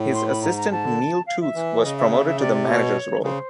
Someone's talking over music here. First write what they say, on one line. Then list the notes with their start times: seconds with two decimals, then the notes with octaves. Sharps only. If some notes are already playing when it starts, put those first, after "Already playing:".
His assistant Neil Tooth was promoted to the manager's role.
Already playing: A2
0.14 C6
0.28 B5
0.41 G#2 A#5
0.56 A#5
0.70 G#2 A5
0.84 D3
1.26 F5
1.41 E5
1.55 E3
1.83 C#3 D#5
1.97 E5
2.11 E5
2.26 E5
2.39 C3 D5
2.53 D5
2.68 B2 C#5
3.24 C#3 C5